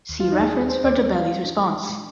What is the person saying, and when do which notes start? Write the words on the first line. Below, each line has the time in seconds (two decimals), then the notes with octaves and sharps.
See reference for Dobelli's response.
0.09 D#2
0.20 G3 F4
0.32 D#4
0.39 D#2 G#4
0.54 G3
0.69 C4 C5
0.84 D#2 D5
0.99 C4
1.14 G3 F5
1.29 G3
1.44 D4
1.59 G#3
1.74 D4
1.90 G#3